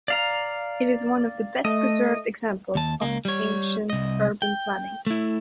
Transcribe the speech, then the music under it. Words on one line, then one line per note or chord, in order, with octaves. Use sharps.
It is one of the best preserved examples of ancient urban planning.
D5 F5 A#5
A3 D#5
D#2 A5
C#2 A#3
G3 C#5
C2 D#5
G5
A3 E4